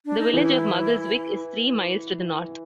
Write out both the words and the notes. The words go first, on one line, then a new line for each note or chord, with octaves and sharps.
The village of Muggleswick is three miles to the north.
D4
D#4
E3 E4